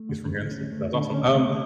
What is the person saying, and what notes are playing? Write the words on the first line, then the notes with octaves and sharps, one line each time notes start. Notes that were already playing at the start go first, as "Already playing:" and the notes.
He's from here in the states. That's awesome. Um,
Already playing: A3
D3
E2
C#4
A3
D3
C#4
A3